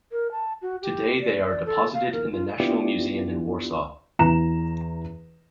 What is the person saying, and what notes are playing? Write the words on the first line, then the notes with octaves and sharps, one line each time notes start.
Today they are deposited in the National Museum in Warsaw.
A#4
A5
F#4
G4
D5
D5
A4
F5
A#4
F4
B3 D4 E4 F4 G4 D5
E2 A#5 E7